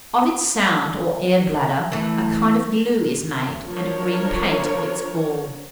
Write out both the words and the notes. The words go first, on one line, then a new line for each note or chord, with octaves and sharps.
Of its sound, or air-bladder, a kind of glue is made, and a green paint of its gall.
E3 A3
F3 D4 A#4 C#5